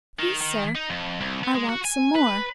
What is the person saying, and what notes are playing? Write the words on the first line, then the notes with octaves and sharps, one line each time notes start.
'Please, sir, I want some more.'
D#3
D#3
D#4
F2
C2
B3
G#3
F#4
G#5
B4